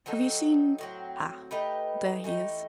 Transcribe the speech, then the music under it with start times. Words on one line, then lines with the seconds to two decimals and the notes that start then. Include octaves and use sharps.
Have you seen--ah! there he is.
0.06 F#3 C4 D#4 A4
0.78 A2 F#3 C4
1.51 A3 D#4 G4 B4
2.24 E3 A3 D#4 G4